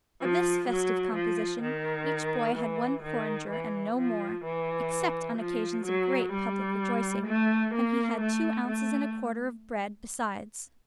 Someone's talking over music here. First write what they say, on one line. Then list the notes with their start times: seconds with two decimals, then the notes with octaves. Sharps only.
Of this festive composition each boy had one porringer, and no more--except on occasions of great public rejoicing, when he had two ounces and a quarter of bread besides.
0.21 F3
0.68 F#3
1.15 F3
1.62 D#3
2.56 E3
3.03 D#3
3.50 E3
3.97 F3
4.44 E3
5.38 F3
5.85 F#3
6.32 G3
7.27 A3
7.74 A#3
8.20 A3
8.68 A3